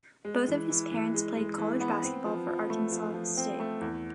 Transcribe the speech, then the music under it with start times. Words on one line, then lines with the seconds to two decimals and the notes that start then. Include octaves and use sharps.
Both of his parents played college basketball for Arkansas State.
0.25 G#3
0.48 E3
0.70 E3
0.92 E3
1.14 G#3
1.37 G#3
1.58 E3
1.80 B3
2.03 C4
2.25 F3
2.47 F3
2.70 A3
2.92 F3
3.14 F3
3.37 C4
3.59 A3
3.81 E2